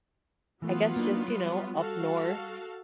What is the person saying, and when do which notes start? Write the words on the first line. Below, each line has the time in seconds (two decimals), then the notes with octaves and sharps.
I guess just, you know, up north
0.62 E3 F#3 A3 B3 F4
0.96 A#3 D4 D#4
1.28 G3
1.76 F#4 A4 F5